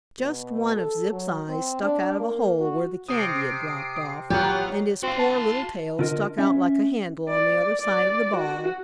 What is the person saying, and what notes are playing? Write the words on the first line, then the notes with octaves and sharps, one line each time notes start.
Just one of Zip's eyes stuck out of a hole where the candy had dropped off, and his poor little tail stuck out like a handle on the other side of the ball.
B2
A4
F#3
C4
D4
A#3
F#4
C3 D#6 C7 D7
A#1 F#3 B3 F4 G4 F#5
C4 F#4 F5
A5
D3 F4 A#4 D#5
C#4 E5
D5
D5
F#4